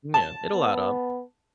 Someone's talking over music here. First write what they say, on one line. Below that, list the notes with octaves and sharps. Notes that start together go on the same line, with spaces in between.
Yeah, it'll add up.
A5
B3